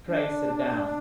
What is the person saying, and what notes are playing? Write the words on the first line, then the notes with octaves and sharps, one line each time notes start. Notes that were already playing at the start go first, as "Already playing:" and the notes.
Pray sit down.
D4